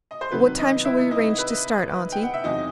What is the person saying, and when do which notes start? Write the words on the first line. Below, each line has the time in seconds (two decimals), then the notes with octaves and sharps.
"What time shall we arrange to start, auntie?"
0.11 D#5
0.21 C5
0.32 C3 D#3 F#3 C4 B4
0.59 D#4 D#5
0.85 E4 E5
1.11 D#4 D#5
1.38 B4
2.12 G5
2.23 F#5
2.34 E5
2.44 E2 C3 F#3 C4 D#4 D#5